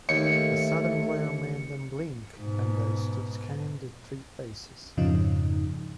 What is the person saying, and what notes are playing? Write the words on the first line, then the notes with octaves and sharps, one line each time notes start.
The sudden glare made them blink, and I stood scanning the three faces.
D#2 A3 C#7
G#2 B2
F2 G#2 C#3 F3 D#4